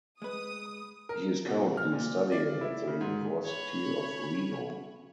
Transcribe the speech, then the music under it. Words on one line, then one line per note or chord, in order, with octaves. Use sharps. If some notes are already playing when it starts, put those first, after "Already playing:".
He is currently studying at the University of Reno.
G#3 B4 D#6
A#4
B2
F6
A#2
D5
E4
C#3
G#2
C#5 B5